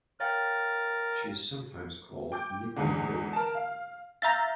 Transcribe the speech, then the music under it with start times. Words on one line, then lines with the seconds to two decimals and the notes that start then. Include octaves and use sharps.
She is sometimes called "Nickel Neelie".
0.20 A#4 C#5 F5 G5 A6
2.32 G5 D6 G6
2.76 E2 G#2 D3
3.33 A#4 A5
3.55 F5
4.22 E5 F5 A#5 G6 A6